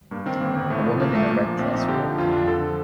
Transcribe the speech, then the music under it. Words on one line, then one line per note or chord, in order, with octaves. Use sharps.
A woman in a red dress walking.
G2 A#3
D#3 C4
G1 A#3
G1 C4
A2 A3
F3
A#1 A#3
A#1 A3
A#2 A#3
F3
A#1 C4
A#1 D#4
D3 G4
F3
F2 F4
F2 D4
D3 A4
F3